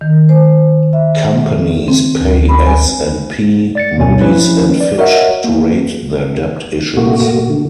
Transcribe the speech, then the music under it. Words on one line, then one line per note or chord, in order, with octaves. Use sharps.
Companies pay S and P, Moody's and Fitch to rate their debt issues.
D#3
C5
E5
C4
D2
B5
G#5
D5 A6 C#7
D2 B2 C#5 G#5
F3 C#4 E4 B4
D5
F#4 A#4 C#5 D#5 E5 F#5
A#3
A#2 A3 A#3 F#4
D3